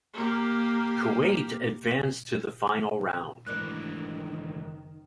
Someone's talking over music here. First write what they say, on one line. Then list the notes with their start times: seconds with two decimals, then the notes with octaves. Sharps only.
Kuwait advanced to the Final Round.
0.14 A#3 G4
3.46 F#1 D2 G#2 D#3 E3 A#4 D5 F#6